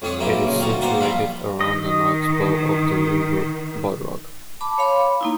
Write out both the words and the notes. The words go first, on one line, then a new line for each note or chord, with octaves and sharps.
It is situated around an oxbow of the River Bodrog.
F2 G3 D4 C#5 D#6
B1 A#3 D#4 E4 G5
A#2 C#3
D2 G3 D#4 F4 F#4
G3 A#3 B3 A#4 C5 F5
F3 G3 E4 F4 B5
D#3 D#5
A5 B5 D6
C#5 F5 B5 C6 D6
A#3 D#4 E4